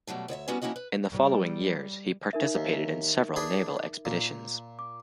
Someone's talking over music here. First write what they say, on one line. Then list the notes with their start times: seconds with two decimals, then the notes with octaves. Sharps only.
In the following years, he participated in several naval expeditions.
0.07 B2 F#3 G3 A3
0.28 D2 C#5 D5 E5
0.48 G3 B3 C#4 E4 F#4
0.62 F3 A#3 C#4 E4 F#4 D#5
0.76 B4
1.11 G3
2.33 D#4 A#4 E5
2.55 D#2
3.36 D4 G#4 B4
4.05 A#2
4.79 D6